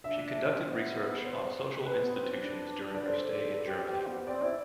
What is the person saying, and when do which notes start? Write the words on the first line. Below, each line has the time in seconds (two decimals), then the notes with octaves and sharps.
She conducted research on social institutions during her stay in Germany.
0.04 D4 E5
0.54 C4
0.65 C4
0.69 B3
1.24 C5
1.85 B4
2.00 B3
2.15 C4
2.31 D4
2.95 D5
3.06 A4 C5
3.66 G4
3.87 G4
4.07 B3
4.27 C4 D5
4.42 E4